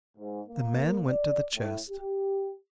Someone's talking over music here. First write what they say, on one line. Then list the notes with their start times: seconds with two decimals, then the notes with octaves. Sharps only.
The man went to the chest.
0.17 G#2
0.48 A#3
1.09 D5
1.55 A2
1.89 G4